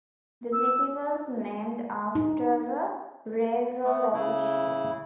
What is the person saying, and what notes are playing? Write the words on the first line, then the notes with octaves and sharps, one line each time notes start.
The city was named after a railroad official.
E6
D#4
A3 B3
C#3 E4